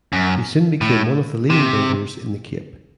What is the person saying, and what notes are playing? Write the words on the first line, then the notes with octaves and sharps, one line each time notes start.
He soon became one of the leading builders in the Cape.
F#2
A2
C3